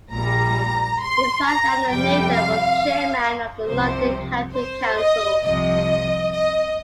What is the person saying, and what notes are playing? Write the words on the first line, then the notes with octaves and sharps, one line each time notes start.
His wife Eleanor Nathan was Chairman of the London County Council.
A#1 A#2 G3 A#5
C6
A#5
F2 C3 G3 G5
F5
C2 C3 F3 C5
C5
D#5
C2 C3 F3 D#5
D#5